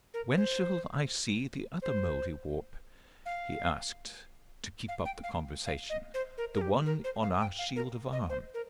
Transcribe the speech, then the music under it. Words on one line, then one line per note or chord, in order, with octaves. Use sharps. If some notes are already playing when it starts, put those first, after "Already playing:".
"When shall I see the other Mouldiwarp?" he asked, to keep up the conversation--"the one on our shield of arms?"
A#4
C5
C5
F5
F5
G5
F5
F5
D#5
C5
A#4
A#4
G4
A#4
C5
F5
G5
F5
A#4
D#5
C5
A#4